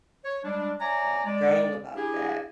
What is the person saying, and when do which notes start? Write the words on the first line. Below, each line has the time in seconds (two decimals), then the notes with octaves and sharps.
um, journal about that.
0.24 C#5
0.44 G3 G#3 D4
0.80 C#5 D5 E5 G#5 A#5
1.25 G#3 D5
1.96 D4 E4 G4 G#4